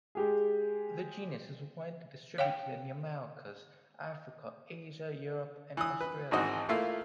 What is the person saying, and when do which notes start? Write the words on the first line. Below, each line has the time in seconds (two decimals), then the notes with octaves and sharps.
The genus is widely distributed in the Americas, Africa, Asia, Europe, and Australia.
0.15 G#3 G4 G#4
2.38 C#5 F5 G5
5.77 E3 D#6
6.01 B4
6.31 G#1 G#2 E3 C4 F#4 D#5
6.69 A3 A#3 E4 F4 E5 F5